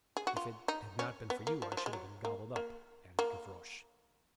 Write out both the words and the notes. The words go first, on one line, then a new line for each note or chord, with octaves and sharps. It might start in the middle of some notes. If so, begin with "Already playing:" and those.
"If it had not been for you, I should have been gobbled up!" added Gavroche.
G#4
F#4
F4
D#4
C#4
B3
A#3
F3
F#3
F3
G#3
F#3
A#3
A#3
A#3